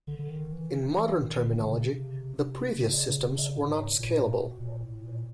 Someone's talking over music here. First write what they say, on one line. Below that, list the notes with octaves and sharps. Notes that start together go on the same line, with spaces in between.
In modern terminology, the previous systems were not "scalable".
D3
D3
D#3
E3
E3
D#3
D3
C#3
C3
C#3
C#3
C#3
A2
G#2
A#2
B2
A#2
A2
A#2